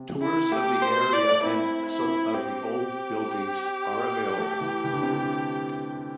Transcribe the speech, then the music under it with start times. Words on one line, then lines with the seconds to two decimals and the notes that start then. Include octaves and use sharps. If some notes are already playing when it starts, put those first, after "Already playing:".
Tours of the area and some of the old buildings are available.
Already playing: C3
0.22 E4
0.51 A3 G4
0.82 C5
1.13 D5
1.31 A3
1.43 C4 E4
1.88 E4
2.34 C4 G4
4.38 A3
4.61 E3
4.85 E3
4.93 D3
5.03 C3
5.13 D3